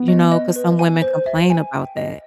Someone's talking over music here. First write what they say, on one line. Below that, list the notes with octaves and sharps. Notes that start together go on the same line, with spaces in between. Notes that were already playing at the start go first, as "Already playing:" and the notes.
You know, 'cause some women complain about that.
Already playing: B3
D#5
D#5
B4
G#5
C5
E5
G#5
G5
D#5